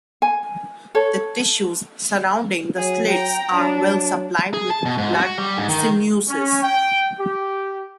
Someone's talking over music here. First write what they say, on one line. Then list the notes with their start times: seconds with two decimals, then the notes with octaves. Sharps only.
The tissues surrounding the slits are well supplied with blood sinuses.
0.22 G#5
0.95 A4 C#5
2.77 F#3 G#4
3.08 G5 A#5
3.54 F#3 D4
4.54 G#4
4.70 A5
4.86 B2
4.98 G#2
5.14 F#4
5.38 G3
5.58 G#2
5.69 D#3
6.29 C#4
6.63 G5
7.20 G4